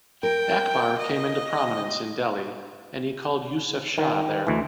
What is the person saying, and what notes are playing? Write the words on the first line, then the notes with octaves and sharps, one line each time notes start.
Akbar came into prominence in Delhi, and he called Yusuf Shah there.
A#4 G5
D#5
D#3
D2 E3